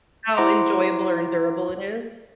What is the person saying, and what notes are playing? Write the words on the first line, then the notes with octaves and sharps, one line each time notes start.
how enjoyable or endurable it is?
E4 C5 F#5 A#5 D6